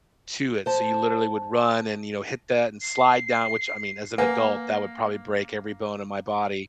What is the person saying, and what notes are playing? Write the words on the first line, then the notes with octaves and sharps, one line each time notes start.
to it, so you literally would run, and, you know, hit that, and slide down which, I mean, as an adult, that would probably break every bone in my body,
C5 A5
C7
A#3 B4 F#5 G#5